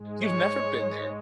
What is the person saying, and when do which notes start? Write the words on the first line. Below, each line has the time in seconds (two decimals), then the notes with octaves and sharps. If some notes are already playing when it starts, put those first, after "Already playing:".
you've never been there,
Already playing: G#2 G#3
0.24 C#5